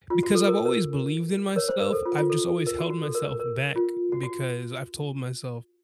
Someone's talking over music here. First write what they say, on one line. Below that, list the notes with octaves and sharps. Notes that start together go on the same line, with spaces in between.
because I've always believed in myself. I've just always held myself back because I've told myself
F4
F#4
A4
A#4
A#4
A#4 C#5
C5
A#4
A4
F4
F4
A4
A#4
F#4
F#4
A4
A#4
A#4
A#4
F4
F#4
F#4